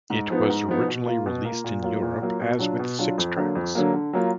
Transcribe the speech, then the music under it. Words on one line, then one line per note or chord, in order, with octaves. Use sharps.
It was originally released in Europe as with six-tracks.
G#2
F3 B3 D#4
G#2
F3 B3 D#4
B2
A#3 F4
B2
A#3 F4
A#2
F#3 A#3 F4
A#2
F#3 A#3 F4
B2
F#3 D4 F4
B2
F#3 D4 F4
F2
D3 F#3 A#3
F2
D3 F#3 A#3
D3
F#3 A#3 F4